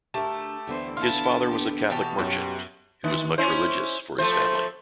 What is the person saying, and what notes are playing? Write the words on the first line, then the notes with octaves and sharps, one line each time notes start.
His father was a Catholic merchant, who was much religious for his family.
D2 A3 G4 A#4 A5
D2 D3 E3 B3 C5
B3 E4 F5 A5 C6
B3 G4
B2 E3 F#4 G4 A5
F#2 B3 C#5
D#3
C#4 E4 C5
F3 A3 C5